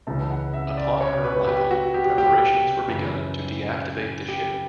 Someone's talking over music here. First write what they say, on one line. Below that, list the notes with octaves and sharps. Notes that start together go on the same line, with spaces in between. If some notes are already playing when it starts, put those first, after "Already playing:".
Upon her arrival preparations were begun to deactivate the ship.
C#2 C#3 E3 A5
F#5
E5
D5
C#5
B4
G4
F#4
G4
G4
F#2 C#3 E3
G4